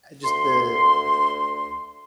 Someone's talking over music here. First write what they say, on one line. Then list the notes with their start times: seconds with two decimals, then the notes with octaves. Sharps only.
uh, just the
0.24 D2 C6